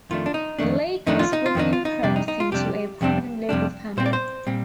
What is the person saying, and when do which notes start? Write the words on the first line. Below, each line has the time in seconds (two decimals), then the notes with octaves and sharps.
Leake was born in Perth, into a prominent local family.
0.10 F2 D#3 A3 D4 F4
0.26 D4
0.34 D#4
0.59 F2 D#3 A3 D4
1.06 F2 D#3 A3 D4 D#4
1.19 F4
1.33 D#4
1.46 F4
1.55 F2 D#3 A3 D4 D#4
1.73 F4
1.85 D#4
2.03 F2 C3 G3 D4 D5
2.16 D#4
2.28 D#4
2.40 F4
2.52 F2 C3 G3 D4 G4
3.01 F2 C3 G3 D4
3.49 F2 C3 G3 D4
3.97 A#2 G3 C4 C5
4.06 D5
4.13 C5
4.47 A#2 G3 C4